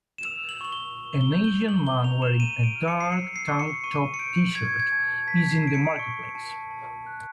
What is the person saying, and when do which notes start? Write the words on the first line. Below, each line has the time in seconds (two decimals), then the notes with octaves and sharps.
An Asian man wearing a dark tank top tshirt is in the marketplace.
0.18 E7
0.25 E6 F7
0.49 F#7
0.61 C#6 F#7
0.72 G7
0.97 C#6
1.21 G7
1.32 G6
1.44 G7
1.68 C#6 F#7
1.87 G7
2.04 A#5 F7
2.22 E7
2.40 A#5 D#7
2.64 D7
2.76 F6
2.88 C#7
3.00 C7
3.11 E6 C#7
3.36 C7
3.48 C#6
3.59 C#7
3.84 C#6 D#7
4.14 C#7
4.19 G6 D7
4.55 C#6 G#6
4.80 G#6
4.92 A5
5.27 A5 B6
5.51 C7
5.62 E6
5.67 D7
5.74 C#7
5.99 C#6
6.35 A5
6.71 A5
7.07 F#6